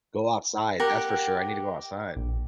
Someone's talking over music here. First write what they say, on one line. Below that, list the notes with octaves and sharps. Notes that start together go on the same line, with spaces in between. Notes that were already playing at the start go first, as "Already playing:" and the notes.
Go outside, that's for sure, I need to go outside.
G4 A#4 F#5
A#1